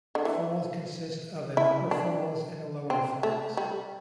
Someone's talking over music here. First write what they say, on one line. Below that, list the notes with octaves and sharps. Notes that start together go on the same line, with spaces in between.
The falls consists of an Upper Falls and a Lower Falls.
D3
E3
E4
D4
C4
A3
G3